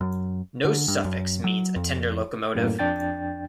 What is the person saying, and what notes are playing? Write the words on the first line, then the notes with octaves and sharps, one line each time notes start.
No suffix means a tender locomotive.
F#2
D3
G2
F#2
F#3
F2
F#2 A2 A#3
F2 D4 G5 A6